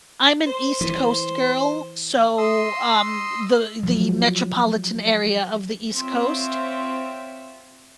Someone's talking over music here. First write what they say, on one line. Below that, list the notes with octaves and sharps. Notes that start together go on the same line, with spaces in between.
I'm an East Coast girl, so, um, the the metropolitan area of the East Coast,
C5
E3
D#5 C6 D#6 E6
F3 F#3
C4 F4 C#5 E5